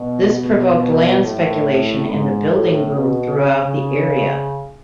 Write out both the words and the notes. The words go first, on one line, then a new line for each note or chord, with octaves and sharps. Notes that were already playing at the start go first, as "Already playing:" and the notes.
This provoked land speculation and a building boom throughout the area.
Already playing: B2
B2
A2
G#2
A2
B2
C#3